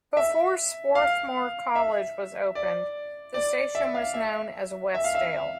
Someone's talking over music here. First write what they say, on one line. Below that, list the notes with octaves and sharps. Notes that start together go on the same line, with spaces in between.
Before Swarthmore College was opened, the station was known as Westdale.
E5
F5
E5
D5
D5
E5
F5
E5
E5
F5
E5